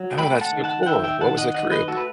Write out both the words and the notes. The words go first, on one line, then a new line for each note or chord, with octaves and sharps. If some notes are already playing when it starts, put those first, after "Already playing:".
Oh, that's so cool. What was the group?
Already playing: F#3
A3 G5 B5
F#5 A5
D#3
F#5 A5
F#5
D#3 E5 G5
E5 G5
D#3 F#5 A5
D#5 F#5
D#3 D#5 F#5
B4 D#5
A3 F#4 A4
B4